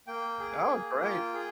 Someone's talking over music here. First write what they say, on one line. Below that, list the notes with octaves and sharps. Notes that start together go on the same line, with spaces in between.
Oh, great.
A#3 G5
G#4
A#3
F4 G5
G#4